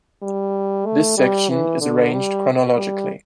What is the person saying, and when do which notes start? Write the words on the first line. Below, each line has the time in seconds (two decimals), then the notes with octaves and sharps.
This section is arranged chronologically.
0.22 G3
0.86 A3
1.17 G3
1.49 E3
1.81 D3
2.13 G3
2.76 G3